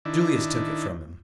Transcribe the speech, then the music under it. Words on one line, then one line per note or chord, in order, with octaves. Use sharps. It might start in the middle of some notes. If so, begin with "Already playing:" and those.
Julius took it from him.
D#3 D4 E4